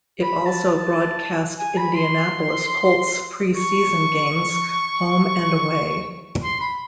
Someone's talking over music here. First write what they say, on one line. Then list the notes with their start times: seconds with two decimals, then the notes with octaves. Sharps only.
It also broadcast Indianapolis Colts preseason games, home and away.
0.22 B5
0.46 A5
0.70 A5
1.59 G#5
1.77 B5
1.95 C6
3.56 C#6
6.43 C6
6.61 B5